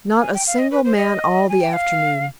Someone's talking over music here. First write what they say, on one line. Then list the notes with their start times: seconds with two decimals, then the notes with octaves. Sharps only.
Not a single man all the afternoon.
0.21 G#5
0.34 G5
0.47 F5
0.59 D#5
0.71 B4
0.85 C5
0.97 D#5
1.49 G#5
1.61 G5
1.73 F5